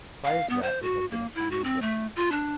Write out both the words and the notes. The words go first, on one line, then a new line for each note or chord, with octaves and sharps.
Prior to that it had been a Chinese restaurant.
F5
B3
C5
F#4
A#3
E4
F#4
C4
A3
F4
D4